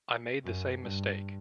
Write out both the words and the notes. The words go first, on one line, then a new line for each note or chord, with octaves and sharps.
I made the same mistake.
F#2
G2